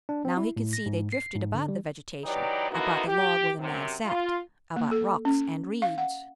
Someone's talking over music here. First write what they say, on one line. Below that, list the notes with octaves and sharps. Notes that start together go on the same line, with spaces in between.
Now he could see they drifted about the vegetation, about the log where the man sat, about rocks and reeds.
D4
C4
E4
A2
A#6
G#2
C7
G#2
D3
G3
E3 F#3 D#4 G4 B4 D5
D3 A#3 B3 D#4 E4 F#4
G4
F#2 C3
F4
A#3
A4
C#4
F5
F#5